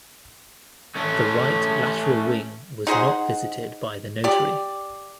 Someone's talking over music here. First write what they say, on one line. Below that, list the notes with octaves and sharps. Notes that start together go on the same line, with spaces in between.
The right lateral wing was not visited by the notary.
A3 C#4
D#4 G#4 C5 F#5
G4 D5